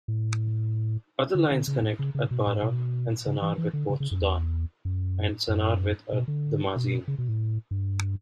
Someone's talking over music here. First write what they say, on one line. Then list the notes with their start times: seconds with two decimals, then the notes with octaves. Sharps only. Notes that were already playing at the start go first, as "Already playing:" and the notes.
Other lines connect Atbarah and Sannar with Port Sudan, and Sannar with Ad Damazin.
0.08 A2
1.35 D3
1.52 D3
1.68 C#3
1.83 A2
1.99 C#3
2.15 C#3
2.31 B2
2.47 A2
2.62 B2
3.26 C#3
3.42 E3
3.58 E3
3.73 D3
3.89 C#3
4.00 C#3
4.11 F#2
4.21 E2
4.85 F#2
5.49 F#2
6.13 B2
6.28 D3
6.76 B2
7.08 C#3
7.18 B2
7.29 A2
7.71 G2